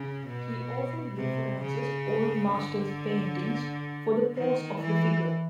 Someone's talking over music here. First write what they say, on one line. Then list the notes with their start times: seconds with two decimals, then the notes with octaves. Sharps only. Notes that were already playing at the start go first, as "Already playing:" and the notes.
He often references Old Masters paintings for the pose of the figure.
Already playing: C#3
0.27 B2
1.16 C3
1.62 C#3
2.54 D3
4.35 D#3
4.81 E3